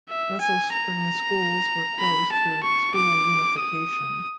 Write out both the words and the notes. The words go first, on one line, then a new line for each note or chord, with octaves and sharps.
Russell Springs schools were closed through school unification.
E5
G#5
A#5
B5
A5
C#6
D6
D#6